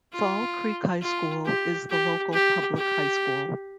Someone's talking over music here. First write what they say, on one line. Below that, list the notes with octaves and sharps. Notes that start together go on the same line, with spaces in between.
Fall Creek High School is the local public high school.
F4
F4
G4
G4
G4
G4